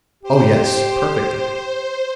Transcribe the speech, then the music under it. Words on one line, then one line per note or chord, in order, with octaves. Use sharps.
"Oh, yes--perfectly."
G4 C5